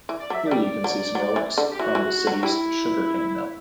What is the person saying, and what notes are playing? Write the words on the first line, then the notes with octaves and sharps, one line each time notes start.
Here you can see some relics from the city's sugar cane mill.
E3
D5
F#3
E5
G3 D5
F#3
F#3
E3
D3
G4
E3 F#4
E3
F#3
F#4
G3 E4